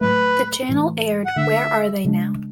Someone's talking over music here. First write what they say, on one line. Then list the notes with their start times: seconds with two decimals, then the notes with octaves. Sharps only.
The channel aired Where Are They Now?
0.01 A2 F#3 A3 B4
0.69 A2 E3 A3
1.26 F#5
1.36 D3 A3 D4 E5
2.04 C#3 G#3 D4